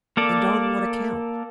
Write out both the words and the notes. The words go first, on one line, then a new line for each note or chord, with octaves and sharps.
"And on what account?"
A#3 A4 D5